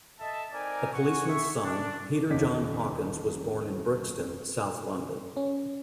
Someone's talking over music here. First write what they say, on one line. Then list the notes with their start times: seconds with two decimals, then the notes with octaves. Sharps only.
A policeman's son, Peter John Hawkins was born in Brixton, south London.
0.19 A4 D#5 E5 A5
0.52 C4 D#4 A#4 D5 G#5
0.93 F#4 F#5 G#5 C#6
1.27 E5 C#6
1.63 D4
2.30 D#1 F2 C#3 D#4 D6 B6
5.37 C#4